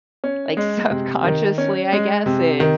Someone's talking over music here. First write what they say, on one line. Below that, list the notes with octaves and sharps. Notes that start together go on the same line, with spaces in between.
like, subconsciously, I guess it
C#4
G#3
C3
D#3
C#4
G#3
C3
D#3